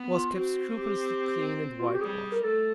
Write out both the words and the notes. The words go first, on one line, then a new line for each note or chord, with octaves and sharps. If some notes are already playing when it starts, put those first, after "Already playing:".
It was kept scrupulously clean and whitewashed.
Already playing: B3
F4
C4 F#4
G4
F4
F#4
G4
G3 G#4
A#4
A3 A4